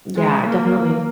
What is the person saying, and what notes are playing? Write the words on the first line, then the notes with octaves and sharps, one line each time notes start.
Yeah, definitely.
G#3
A#3